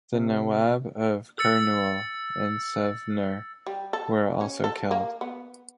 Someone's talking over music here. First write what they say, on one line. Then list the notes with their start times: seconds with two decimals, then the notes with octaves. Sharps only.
The Nawab of Kurnool and Savnur were also killed.
0.13 C3
1.39 E6 A6 C#7
3.66 G3
3.93 A4
4.41 C#4
4.64 A4
4.91 A#3
5.21 B3